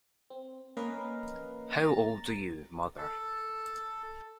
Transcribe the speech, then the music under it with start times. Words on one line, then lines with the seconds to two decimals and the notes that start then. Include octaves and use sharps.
How old are you, mother.
0.30 C4
0.77 A#3 C#4 A#4 B4 D#5 F5
1.77 A#5 A6
2.98 A4